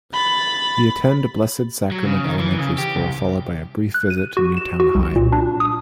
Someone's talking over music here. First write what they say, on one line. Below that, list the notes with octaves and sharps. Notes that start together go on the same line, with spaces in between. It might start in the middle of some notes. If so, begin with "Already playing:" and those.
He attended Blessed Sacrament elementary school followed by a brisk visit to Newtown High.
B5 A6
F#3
C#3
D#3
E3
C#3
G4
C2
F#6
D#7
F#4
E7
F#4
C2
A#2
D4
D#6